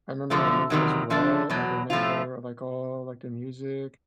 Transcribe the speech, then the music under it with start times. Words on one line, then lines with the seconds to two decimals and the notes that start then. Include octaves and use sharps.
I remember that movie as well, like, I remember, like, all, like, the music
0.30 F#2 D3 F3 A3
0.70 E2 C3 D#3 F#3
1.10 D3 F3 A3 D4
1.50 E2 B2 F#3
1.90 A2 F3 A3 C#4 F4